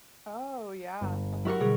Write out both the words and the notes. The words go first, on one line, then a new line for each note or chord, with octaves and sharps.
Oh, yeah. Okay.
G1
F#3 E4 F#4 G4 A#4 C#6
B2 D3 G3 G#4